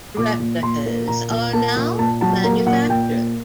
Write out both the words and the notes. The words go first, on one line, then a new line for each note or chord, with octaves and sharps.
Replicas are now manufactured.
A#2 D6
A#2
A#2 C6
A#3
A#2 A#5
A#2
A#3 A5
A#2
A#2 A5
F#3 A5
A#3 A#5
A#2 F#5
A#2 G5
A#3